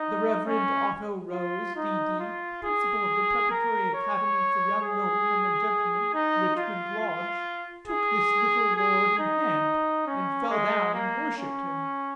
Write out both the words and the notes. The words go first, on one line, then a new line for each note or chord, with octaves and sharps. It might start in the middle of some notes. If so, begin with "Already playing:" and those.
The Reverend Otto Rose, D.D., Principal of the Preparatory Academy for young noblemen and gentlemen, Richmond Lodge, took this little Lord in hand, and fell down and worshipped him.
Already playing: D#4
C#4
F4
D#4
F4
G#4
A#4
C#5
G#4
D#4
F4
F4
G#4
G#4
D#4
C#4
G#3
A#3
C#4